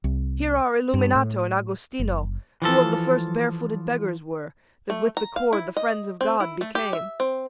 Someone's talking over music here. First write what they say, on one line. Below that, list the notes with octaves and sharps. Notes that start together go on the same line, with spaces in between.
Here are Illuminato and Agostino, Who of the first barefooted beggars were That with the cord the friends of God became.
C2
G2
A2
F#1
E3 F3 A4
A3
A#5
F5
E4
D#5
C4
E4
A3
G4
E5
C4